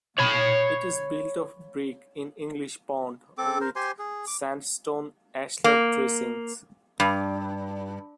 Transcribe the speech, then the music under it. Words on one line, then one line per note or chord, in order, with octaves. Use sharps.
It is built of brick in English bond with sandstone ashlar dressings.
C#5 B5
C4 A4 D6
A#4 C5
G4 C5 G#5 C6
G#4
D6
A#3
G2